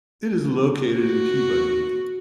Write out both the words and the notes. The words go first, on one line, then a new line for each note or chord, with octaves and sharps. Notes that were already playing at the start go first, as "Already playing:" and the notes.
It is located in Peabody.
F#4